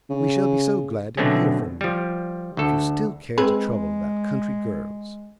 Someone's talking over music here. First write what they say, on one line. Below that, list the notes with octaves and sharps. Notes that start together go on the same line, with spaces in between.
We shall be so glad to hear from you, if you still care to trouble about country girls.'
C#3
B2 D3 F#3 A3 C4 C#4
F3 G3
D2 A4
G#3 C4 G#4 B4